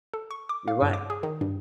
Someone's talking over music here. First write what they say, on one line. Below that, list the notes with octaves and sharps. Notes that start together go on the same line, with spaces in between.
You're right.
A4
C#6
D6
F5
G2
D6
G#4
D#3
G2